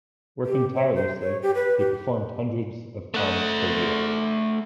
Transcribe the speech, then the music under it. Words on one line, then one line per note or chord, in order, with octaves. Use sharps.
Working tirelessly, he performed hundreds of times per year.
G4
C#5
C5
C#5
G4
B4
G4
A3 F#5